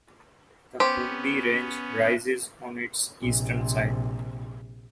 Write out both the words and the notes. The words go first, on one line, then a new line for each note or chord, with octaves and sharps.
The Kumbi Range rises on its eastern side.
B3 C#4 G4 C5
A#1 C3